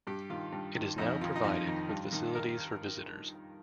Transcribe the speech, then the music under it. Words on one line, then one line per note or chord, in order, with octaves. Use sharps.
It is now provided with facilities for visitors.
G2 G4
D#3 F4
G2
D#3
F2 D#4
D#3 F4
D#4
F2 F4
D#3
G2
D#3
A#4